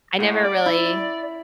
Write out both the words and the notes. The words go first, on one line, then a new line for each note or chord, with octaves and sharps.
I never really
A2 F#5
D5
E4